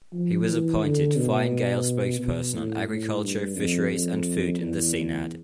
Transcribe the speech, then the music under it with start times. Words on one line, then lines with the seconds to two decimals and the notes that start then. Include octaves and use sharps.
He was appointed Fine Gael spokesperson on Agriculture, Fisheries and Food in the Seanad.
0.13 F3
0.48 E3
0.82 D3
1.16 B2
2.19 B2
2.54 A2
2.88 A2
3.23 G2
3.57 F2
3.91 F2
4.59 E2